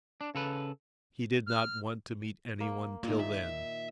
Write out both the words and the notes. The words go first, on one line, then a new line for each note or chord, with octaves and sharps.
He did not want to meet anyone till then.
D4
C#3 A4 B4
F6
A#3
A#2 D#3 A#3
E5